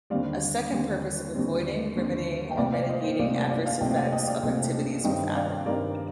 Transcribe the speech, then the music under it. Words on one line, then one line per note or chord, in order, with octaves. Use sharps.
A second purpose of avoiding, remedying or mitigating adverse effects of activities was added.
D#2 D3 G3 C4 D5 F5
D#2 D3 G3 C4
D#2 D3 G3 C4
D#2 D3 G3 C4
G5
C2 A#2 A3 C4 D5 F5
D5 F5
C5 D#5
C5 D#5
C2 A#2 A3 C4 D5 F5
D5 F5
D5 F5
D5 F5
C2 A#2 A3 C4 D#5 G5
D5 F5
D#5 G5
D5 F5
C2 A#2 A3 C4
G2 D#3 G3 C4 D#5 G5
D#5
D5 F5
G2 D#3 G3 C4 A#4 D5